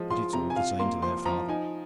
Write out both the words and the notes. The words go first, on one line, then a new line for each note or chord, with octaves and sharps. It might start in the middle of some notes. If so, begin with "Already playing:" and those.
But it's all the same to their father.
Already playing: F3 G#3
F4 C6
C3 A#5
G#5
F4 F5
A#3 C6
F3 C6
F3 A#5
D#4 G#5